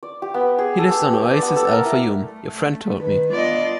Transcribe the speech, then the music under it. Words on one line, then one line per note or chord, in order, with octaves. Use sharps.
He lives on Oasis Al-Fayoum, your friend told me.
D5
G4
B3
G#4
A4
G4
G4
D5
B3
A4
A#4
E4
A3
D#3 B4
B3 D4 F4 D5 D#5